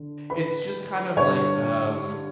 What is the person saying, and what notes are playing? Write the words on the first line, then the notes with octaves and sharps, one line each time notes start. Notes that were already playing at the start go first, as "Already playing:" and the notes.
It's just kind of like, um
Already playing: D3
B4 B5
G2 D3 C#5 C#6